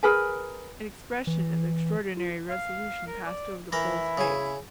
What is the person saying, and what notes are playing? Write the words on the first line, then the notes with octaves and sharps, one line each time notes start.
An expression of extraordinary resolution passed over the Pole's face.
G#4 A#4 B4 G#5
E3
F4
F5
A#4
D5
E3 E4 A#4
C#3 G#5